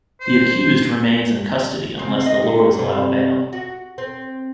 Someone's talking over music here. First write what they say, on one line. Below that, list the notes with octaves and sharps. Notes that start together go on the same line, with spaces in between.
The accused remains in custody unless the Lords allow bail.
C5
C#3 C4
D#5 F5
D3
G2 C3 G3
F#4
C4